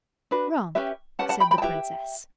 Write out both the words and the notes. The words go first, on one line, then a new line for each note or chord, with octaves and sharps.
'Wrong,' said the Princess.
D4 F#4 B4
C#4 G4 B4 E5 G5
C#4 G4 B4 F#5 A5
F#5 A5
G5 B5
G5 B5
A5
E4 G4 B4 E5 G5